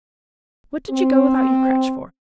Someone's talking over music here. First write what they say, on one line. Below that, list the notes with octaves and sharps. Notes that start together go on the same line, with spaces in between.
What did you go without your crutch for?
C4